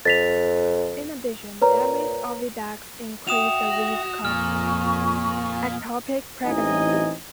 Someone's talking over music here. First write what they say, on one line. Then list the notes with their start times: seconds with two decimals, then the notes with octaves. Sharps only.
In addition, damaged oviducts increase the risk of ectopic pregnancy.
0.05 F2 A6 B6 F7
1.62 A#2 B4 C#5 A#5
3.27 F#4 E5 G5 D#6 E7 F7
4.25 F2 A#2 G#5 A#5 C#6 F6
6.45 A1 E3 C4 D#4 D#5 G#5